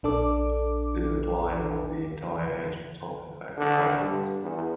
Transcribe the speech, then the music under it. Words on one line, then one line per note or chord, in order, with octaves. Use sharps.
It is applied along the entire edge of top and back plates.
A#1 D4 A4 D6
D3
G2
E2